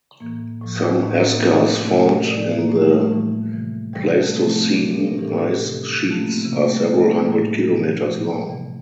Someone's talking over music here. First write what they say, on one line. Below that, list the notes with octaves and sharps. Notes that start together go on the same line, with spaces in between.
Some eskers formed in the Pleistocene ice sheets are several hundred kilometers long.
A2 E3 A#3
A2 F3
A2 E3 D4
C4
C4
A#3
C3 F3 A3
C3 E3 A3
G4
A4
A#4
A2 F3 D5
D5
F4
A#3
A2 F3 A3
A3
G3
A3
A2 E3
C3 E3
C3 E3 G3
G3
A3
C3 F3 C4
A3
C4
A#2 F3 D4
G4
A4
A#4
A2 E3 G4
A4
A4
G4
C3 E3
A#2 F3 F4
A3
A#3
C4
C3 E3 A3
A#3
A3
G3
A#2 F3 A3
A3
A2 E3 A#3
C3 F3
A#2 F3
C3 E3